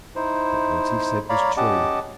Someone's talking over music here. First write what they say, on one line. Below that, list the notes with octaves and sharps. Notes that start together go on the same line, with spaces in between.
Yet what he said was true.
D#4 E4 C5
C#5 D5 F5 A#5 B5
C#4 G4 D#5 F#5 A5 D6